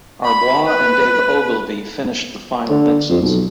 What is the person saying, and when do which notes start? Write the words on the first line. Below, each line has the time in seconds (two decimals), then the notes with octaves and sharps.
Arboit and Dave Ogilvie finished the final mixes.
0.24 B5
0.68 B4
2.69 D3
3.09 F2
3.22 B1